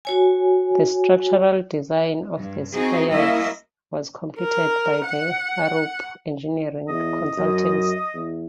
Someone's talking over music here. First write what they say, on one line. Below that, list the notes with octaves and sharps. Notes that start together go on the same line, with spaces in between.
The structural design of the spires was completed by the Arup engineering consultancy.
F#4 C#5 G#5
G2
C4 D#4 F#4 G#4
G3 A#3 C#4 E4 D#5 E5
A#4
F#5
E2 D#5
F#2
E2